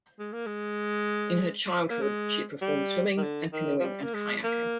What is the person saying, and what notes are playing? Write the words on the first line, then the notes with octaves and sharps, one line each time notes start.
In her childhood she performed swimming and canoeing and kayaking.
G#3
A#3
G#3
A#3
G#3
G3
D#3
D3
D#3
F3
G3
A#3
G#3
A#3